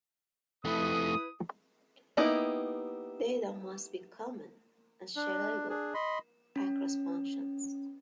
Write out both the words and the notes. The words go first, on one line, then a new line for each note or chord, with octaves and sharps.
Data must be common and shareable across functions.
F2 A3 E4 B4 D#6
A#3 B3 D#4 E4 G4
D4
D4 G#4
D#5 B5 C6
C#4